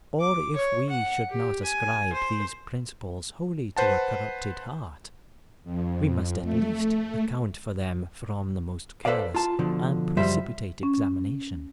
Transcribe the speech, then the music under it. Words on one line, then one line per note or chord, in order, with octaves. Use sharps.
Or if we should not ascribe these principles wholly to a corrupted heart, we must at least account for them from the most careless and precipitate examination.
D6
C#5
F#5
G4
G#5
C5
B4 C5 F#5 A5
F2
A3
A4 B4 C5 D5 F5
F4 A5
B2 D3 F3
C#2 F#2 F3 G3 C5 E5
C#4